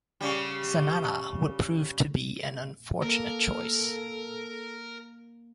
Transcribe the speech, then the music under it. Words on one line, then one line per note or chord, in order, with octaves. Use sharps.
Zanana would prove to be an unfortunate choice.
C#3 G3
A#3 A4 A#4